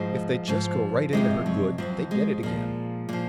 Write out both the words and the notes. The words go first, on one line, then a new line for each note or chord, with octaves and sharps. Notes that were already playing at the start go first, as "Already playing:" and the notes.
If they'd just go right into her good, they'd get it again.
Already playing: G#2 F3 G#3
G#2 F3
F2 C3 F3 G#3
F#3
F2 C3 F3 F#3
G#3
A#2 F3
A#2 F3